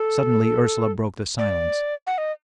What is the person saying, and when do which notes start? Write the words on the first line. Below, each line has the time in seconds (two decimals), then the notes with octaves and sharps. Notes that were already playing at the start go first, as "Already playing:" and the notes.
Suddenly Ursela broke the silence.
Already playing: A4
1.38 D5
2.07 F#5
2.18 D#5